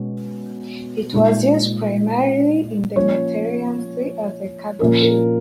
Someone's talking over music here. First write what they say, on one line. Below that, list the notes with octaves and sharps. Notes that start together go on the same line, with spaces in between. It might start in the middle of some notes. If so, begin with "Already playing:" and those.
It was used primarily in the Mediterranean Sea as a cargo ship.
Already playing: B2 G#3 C#4
A#2 G#3 D#4
F3 A#3 C#4 C#5
A#2 F3 A#3 C#4 A#4
A#4